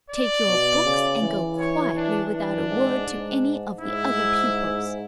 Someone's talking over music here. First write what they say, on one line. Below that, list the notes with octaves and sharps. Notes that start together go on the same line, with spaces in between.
Take your books and go quietly without a word to any of the other pupils.
D5
B2
C#3
E3
C#5
D4
E3 D4
G#2
G#2
G#2 E4